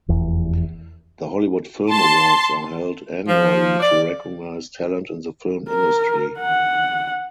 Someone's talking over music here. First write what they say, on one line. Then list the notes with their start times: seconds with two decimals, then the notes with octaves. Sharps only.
The Hollywood Film Awards are held annually to recognize talent in the film industry.
0.08 F1 E2
1.91 A5 C6
3.28 F3
3.80 D5
5.69 A#4
6.39 F#5